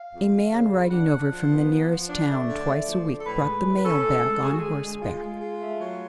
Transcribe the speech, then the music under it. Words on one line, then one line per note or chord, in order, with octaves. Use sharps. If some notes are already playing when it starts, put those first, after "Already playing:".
A man riding over from the nearest town twice a week brought the mail-bag on horseback.
Already playing: F5
F2
F2
C#3
F2
D4 F#5
D4
F3
B3
F3
F3
D4 D5
A3
D3
A3
F3
D3
A4
A2 B4
G#3
A2
B4
C#4 A4
A2
G#3
G#3 G#4
F#4
D3 G#4
G#3
G#3 F4
G#3
G#3
A3
F#3